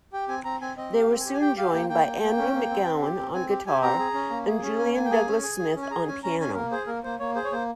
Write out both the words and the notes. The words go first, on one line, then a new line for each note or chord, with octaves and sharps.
They were soon joined by Andrew McGowan on guitar and Julian Douglas-Smith on piano.
G4 G5
C4 G#5
C4 A#5
C4 G#5
C4 D#5
G4 F5
C4
G#5
G4
G#5
G4 G5
G4 F5
A#3 G5
A#3 G5
A#3
A#3
C#4
A#3
C4
C4
G4
C4
C4 G#5
G4
G4 G#5
C4 A#5
G#4
C#4
A#3
G#4
C#4
A#3 G#5
A#3 G#5
G5
G#4 G#5
C#4
G#4
G#4
C#4
G#5
G#4 A#5
C#4 G#5
C#4 A#5
C#4 G#5
A#3 A#4
G#4 C5
A#3 A#4
A#3 C5
A#3 C#5
G#4 C5
C#5
A#3 C5